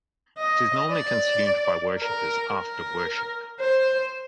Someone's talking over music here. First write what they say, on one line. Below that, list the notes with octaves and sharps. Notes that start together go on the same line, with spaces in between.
It is normally consumed by worshippers after worship.
D#5
D5
A#4
A#4
C5